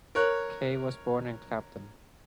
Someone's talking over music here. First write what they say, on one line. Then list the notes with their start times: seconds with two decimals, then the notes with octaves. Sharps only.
Kaye was born in Clapton.
0.15 A#4 C#5 F#6